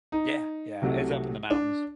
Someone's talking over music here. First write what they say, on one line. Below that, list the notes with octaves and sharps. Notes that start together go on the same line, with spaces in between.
Yeah, yeah, it's up in the mountains
D#4
C2 C3 F#3 A3
D4